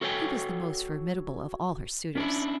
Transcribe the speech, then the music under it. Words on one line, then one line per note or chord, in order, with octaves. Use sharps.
He was the most formidable of all her suitors.
F#4 A4 C#5 D5 G5 G#5
C#4 D4 E4